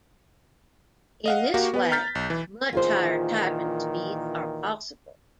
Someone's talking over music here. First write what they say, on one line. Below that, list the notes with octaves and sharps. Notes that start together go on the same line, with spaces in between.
In this way, much higher typing speeds are possible.
D#5 F5 F#5
A#3 F#4 G4 A#4 F5 C#6
B3 B4
A#5 F6 G6 A6 B6
B1
E3
A#2 D#3 E3 F4 G#4 C5